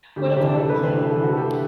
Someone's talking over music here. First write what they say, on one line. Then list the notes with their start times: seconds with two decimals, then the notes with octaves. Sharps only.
What about you?
0.16 D2 G4
0.36 C3 E3 G4
0.56 D2 A4
0.69 B4
0.77 C3 E3
0.83 C5
0.96 D2 A4
1.11 A4
1.17 C3 E3
1.23 F#4
1.33 A4
1.37 D2 G4